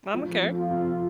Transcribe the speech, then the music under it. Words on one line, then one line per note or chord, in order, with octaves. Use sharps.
I don't care.
F3
F2
F4
C3